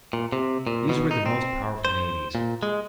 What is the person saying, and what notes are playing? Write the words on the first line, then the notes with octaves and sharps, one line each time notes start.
These were the most powerful navies.
A#2
C3
A#2
B2
D#4
C4
C5
A#2
G#3